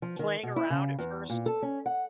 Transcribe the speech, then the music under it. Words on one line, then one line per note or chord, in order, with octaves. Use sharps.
playing around at first.
F3
D#3
B2
E4
C#3
E2
A#2
A4
C#4
F#5